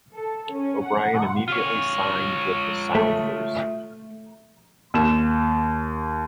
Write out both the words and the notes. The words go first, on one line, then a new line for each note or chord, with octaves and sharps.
O'Brien immediately signed with the Sounders.
A4
C#4
F#5
F4 C#5
A3
D#2 E7